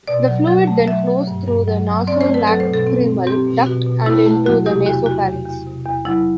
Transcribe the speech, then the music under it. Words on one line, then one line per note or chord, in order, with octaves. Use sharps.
The fluid then flows through the nasolacrimal duct and into the nasopharynx.
B2 D5
F#3
F#3
A3
F#3 E5
F#3
G2
G2
F#3
F#3
C4 D5
C5
A3
B4
F#3 A4
C5
B2
A4
C4
C4
C4 G4
B2
B2 F#4
B2
A3 E4
A3
F#3 F#4
C3 G4
E2 F#4
E2 F#4
E2
E2
C3
E2
F#3 E4